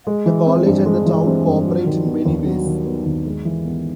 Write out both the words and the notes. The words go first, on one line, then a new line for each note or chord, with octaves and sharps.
The college and the town cooperate in many ways.
G#3
E3
C4
G2
G#3
E3
C4
G2
F#3
D#3
B3
D#2
F#3
D#3
B3
D#2
G#3
E3
B3